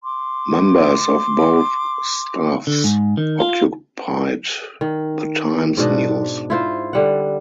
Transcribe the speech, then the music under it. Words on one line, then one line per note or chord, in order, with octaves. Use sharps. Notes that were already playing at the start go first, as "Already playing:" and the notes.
Members of both staffs occupied the Times-News.
C6 D6
D3
G#2
D#3
F4
D#3
G#2 B2 D4 D#5
E4 F4 C5
D3 G3 F#5